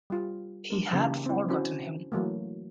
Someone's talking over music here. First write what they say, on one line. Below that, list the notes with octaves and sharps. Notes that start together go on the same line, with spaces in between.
He had forgotten him.
G3 F4
D4 A#4
C#3 E3 A#3 C#4 D#4 G4
C4 E4
C#4 D4 E4 F#4 C5
E3 F#3 A3 A#3